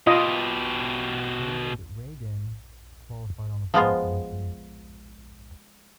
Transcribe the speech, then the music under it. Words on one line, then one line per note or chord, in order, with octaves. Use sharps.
David Ragan qualified on the pole position.
B2 F4 G4 D#5
F3 G#3 B3 F4